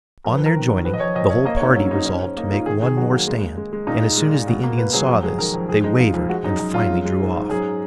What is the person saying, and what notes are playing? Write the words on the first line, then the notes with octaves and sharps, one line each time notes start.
On their joining, the whole party resolved to make one more stand, and as soon as the Indians saw this, they wavered and finally drew off.
F2 A#4
B4
F2
A#4
D#3
F#3
F2 B4
D#5
F2 C#5
F2 D#5
F2 C#5
A#3 D#5
C#5
G#2
F#3 C#4
G#2 D#4
G#2 C#4
G#2
A#3 D#4
G#2 F4
D#3 G#4
D#3 G#4
F#2 F#4
A#3
G#3
G#3
G#3
G#3
A#2 D#4
G#3
G#3
G#3
B2
A#3
B2 B4
F#3 G#4
F2 F#4
G#3 G#4
D#3 A#4
F2
F2 G#4
G#3 D#4
G#3 F4
F2
G#3 F#4
F#2 D#4
F#2
F#2 F4
G#3
G#3
G#2
G#2
F#2 G#4